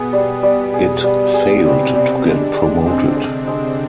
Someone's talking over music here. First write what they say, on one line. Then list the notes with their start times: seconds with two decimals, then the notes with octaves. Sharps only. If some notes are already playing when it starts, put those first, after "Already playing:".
It failed to get promoted.
Already playing: B2 B3 G#4
0.13 G3
0.43 G3
0.74 G#4
1.03 B2 G3 B3
1.34 G#4
1.65 C3 G3 C4
1.95 C3 G3 C4
2.25 D3 G#3 D4
2.55 G#3
2.86 C3 G#3 C4
3.16 G#3
3.47 G#3